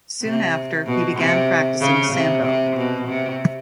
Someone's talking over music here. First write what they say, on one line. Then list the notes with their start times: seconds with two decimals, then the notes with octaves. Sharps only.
Soon after, he began practicing sambo.
0.23 C3
0.86 B2
1.17 C3
1.81 C#3
2.13 C3
2.44 C3
2.76 B2
3.08 C3